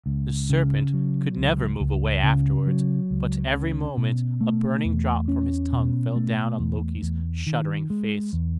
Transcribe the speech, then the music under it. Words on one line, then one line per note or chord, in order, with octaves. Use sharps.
The serpent could never move away afterwards; but every moment a burning drop from his tongue fell down on Loki's shuddering face.
C#2
C#3
F#3
C#2
C#2
C#3
F#3
C#2
C#4
B2
A3
E2
C#4
B2
A3
E2
E2
D#3
G#3
E2